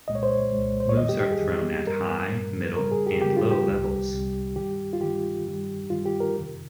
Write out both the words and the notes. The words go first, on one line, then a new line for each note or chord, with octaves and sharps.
Moves are thrown at high, middle, and low levels.
C2 A#2 G#3 D#5
C#5
C5
C#5
C2 A#2 G#3
C5
C#5
F2 D#3 G3 D#5
G4
G4
G#4
F2 D#3 G3
G2 G3 A#4
G2 G3
F2 C#3 G3 A#4
G#4
G4
F2 C#3 G3 G4
F4
G4
C2 C3 G3
C2 C3 G3
G2 D#3 G3 G4
F4
G2 D#3 G3 G4
G2 D#3 G3
G2 D#3 G3 F4
G4
A#4
F2 C3 D#3